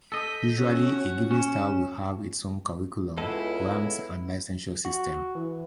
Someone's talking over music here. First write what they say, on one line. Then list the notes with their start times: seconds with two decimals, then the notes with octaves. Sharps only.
Usually a given style will have its own curriculum, ranks and licensure system.
0.12 A4 D#5 G6 B6
0.58 C#4 F#4 C#5
1.31 C#4 E7
3.18 C#2 G#3 B3 E4 A4
4.85 F#4
5.35 E3